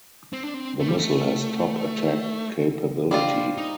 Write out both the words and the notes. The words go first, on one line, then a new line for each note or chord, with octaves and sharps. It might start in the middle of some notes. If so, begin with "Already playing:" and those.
The missile has top attack capability.
C4
D4
C4
A3
G3
A3
G3 C4 D4 F4
D#4